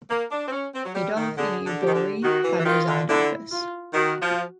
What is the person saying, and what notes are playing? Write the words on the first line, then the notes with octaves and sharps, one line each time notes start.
Adolph E. Borie had resigned office.
A#3
D4
C4
C#4
C4
F#3
G3
D#3
D3 G#4
D3
G4
D#3
D3
D#3 F#4
E3
E3
D#3 F4
D3
D3 E4
F4
D#3 F#4
F3